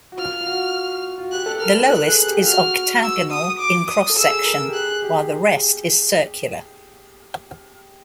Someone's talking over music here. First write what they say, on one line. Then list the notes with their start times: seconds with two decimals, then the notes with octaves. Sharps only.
The lowest is octagonal in cross section while the rest is circular.
0.12 F#4
0.18 F4 F6
0.41 F4
0.47 F#4
1.18 F4
1.24 F#4
1.32 G4 F#6
1.46 A4
1.60 A#4 F6
1.75 B4
1.89 A4 F#6
2.08 G#4
2.27 G4
2.38 F4
2.46 F#4 F6
3.03 E6
3.31 D#6
3.60 D6
3.88 D#6
4.10 A4
4.16 G#4 E6
4.45 A#4
4.68 G4
4.73 G#4 F#6
5.02 G4